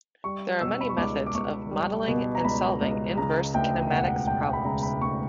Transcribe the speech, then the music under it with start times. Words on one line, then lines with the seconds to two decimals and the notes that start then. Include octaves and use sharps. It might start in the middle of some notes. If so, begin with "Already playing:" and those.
There are many methods of modelling and solving inverse kinematics problems.
0.24 G3 C#6
0.61 B2 E6
0.81 B5
0.89 C#6
0.97 C#2 D6
1.26 D6
1.35 C#2 C#6
1.71 G3
2.08 B2
2.35 A#5
2.45 C#2 B5
2.82 C#2
3.17 C#3 A#5
3.54 D2 G5
3.91 E1 F#5
4.27 E1 G5
4.53 B5
4.65 C#3 A#5
4.83 B5
5.01 D2 C#6